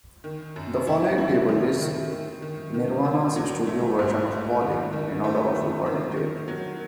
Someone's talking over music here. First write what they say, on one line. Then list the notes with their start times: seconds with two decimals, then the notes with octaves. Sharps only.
The following table lists Nirvana's studio versions of "Polly" in order of recording date.
0.24 D#3
0.56 F#2
0.87 E4
1.18 E4
1.49 D#3
1.81 D#3
2.11 D#3
2.42 D#3
2.74 D#3
3.05 D#3
3.36 F#3
3.67 A3
3.99 G#2
4.31 A3
4.61 D#3
4.93 D#3
5.24 A3
5.55 D#3
5.86 D#3
6.17 D#3
6.48 F#3